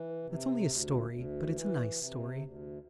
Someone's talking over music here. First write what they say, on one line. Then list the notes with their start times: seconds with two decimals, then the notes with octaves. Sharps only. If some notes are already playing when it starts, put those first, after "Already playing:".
It's only a story, but it's a nice story.
Already playing: E3
0.23 C3
0.66 D2
1.09 D2
1.52 E3
1.96 C3
2.40 D2